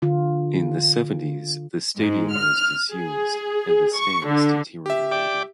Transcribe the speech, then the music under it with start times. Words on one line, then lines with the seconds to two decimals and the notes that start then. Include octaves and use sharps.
In the seventies the stadium was disused, and the stands deteriorated.
0.02 D3 F4
1.97 G#2
2.32 F6
2.91 G#4
3.96 C#6
4.26 D3
4.86 G4 E5
5.12 D5 G5 D6